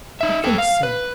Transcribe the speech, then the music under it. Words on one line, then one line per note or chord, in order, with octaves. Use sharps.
I think so.
D#4 E5
A4 G5
F5
B4